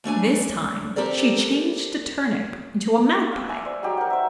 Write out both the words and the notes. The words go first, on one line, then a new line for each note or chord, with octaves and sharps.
This time she changed the turnip into a magpie.
D#2 A3 D4 G#5
C4 G4 A4 A#4 D5
F5
E5 G#5 C#6 D6
C5 D5
F#3 G#3 D#4 G4
A#4 F#5
C5 E5